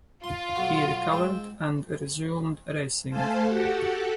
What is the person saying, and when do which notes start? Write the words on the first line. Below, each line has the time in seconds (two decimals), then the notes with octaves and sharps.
He recovered and resumed racing.
0.24 F4 C6
0.56 B1 F#4
1.12 G#2 C4 G5
3.09 A3 A4 C5 F5 G#5 A5
3.44 F#4 G4 A4 F#5